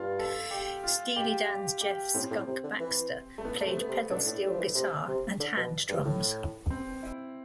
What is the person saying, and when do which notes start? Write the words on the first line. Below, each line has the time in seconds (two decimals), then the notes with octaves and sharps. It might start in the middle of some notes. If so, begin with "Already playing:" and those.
Steely Dan's Jeff "Skunk" Baxter played pedal steel guitar and hand drums.
Already playing: G2 F4
0.19 A4
0.51 G4
0.84 F4
1.16 G4
1.49 G4
1.81 G4
2.14 A2 C4
2.31 A2
2.47 C3
2.63 D3
2.80 E3
3.38 A3
3.45 E3 B3
3.60 A3
3.66 C3
3.77 B3
3.88 C3
4.10 B2 D4
4.26 A2
4.42 G3
4.51 F3
4.58 E3
4.75 C3
5.08 C3
5.40 D3
5.56 B2
5.89 G2
6.05 A2
6.70 C4
7.03 E4